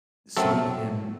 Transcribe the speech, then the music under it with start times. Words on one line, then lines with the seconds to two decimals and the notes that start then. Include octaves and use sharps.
Seeing him
0.37 F#2 F#3 A3 C4 A4